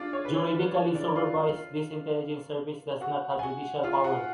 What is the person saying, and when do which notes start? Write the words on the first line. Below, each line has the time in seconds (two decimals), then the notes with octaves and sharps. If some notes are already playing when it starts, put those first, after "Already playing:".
Juridically supervised, this intelligence service does not have judicial power.
Already playing: D4 F4 D5
0.13 C#5
0.25 B4
0.34 C#5
0.55 B4
0.74 C#5
0.95 D4 D5
1.08 D5
1.16 F4 F5
3.01 F#4 F#5
3.39 G#5
3.43 F#4 F#5
3.83 F4 F5
4.04 F#4 F#5